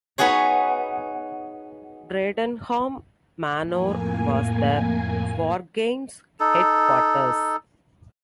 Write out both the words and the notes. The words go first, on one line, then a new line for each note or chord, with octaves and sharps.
Bradenham Manor was the Wargames' Headquarters.
B3 D#4 F#4 G#4 C#5
F2 A2 A#3 G#5
D#4 A4